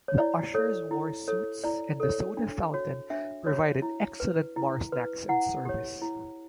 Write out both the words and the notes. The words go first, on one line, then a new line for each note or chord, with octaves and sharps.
The ushers wore suits and the soda fountain provided excellent bar snacks and service.
C#5
E4 D5
A4 C#5
E4
A4 C#5
E4 D5
A4 C#5
D4
F#4 C#5
D4 E5
F#4 C#5
E4
B4
E4
B4
E4 F#5
G4 C#5
E4